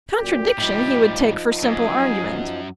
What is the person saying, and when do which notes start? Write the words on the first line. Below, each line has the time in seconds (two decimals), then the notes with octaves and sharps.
Contradiction he would take for simple argument.
0.16 F#2 A#2 G4
0.58 A2 F3 G3 D#4
1.63 F#2 G#4